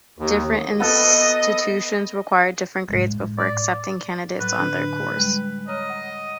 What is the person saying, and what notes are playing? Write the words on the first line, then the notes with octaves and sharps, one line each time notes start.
Different institutions require different grades before accepting candidates onto their course.
D#2
B3 A4 D#5
A2 G#3
D5
A2 F#3 B4
D3 F#3 D4
G3 G#3
C#5 D#5 A#5 F6
F#5